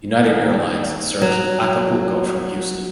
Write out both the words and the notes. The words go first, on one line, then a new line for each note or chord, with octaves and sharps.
United Airlines serves Acapulco from Houston.
D#2
F#3